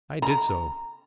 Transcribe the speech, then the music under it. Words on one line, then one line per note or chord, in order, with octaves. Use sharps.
I did so.
A#5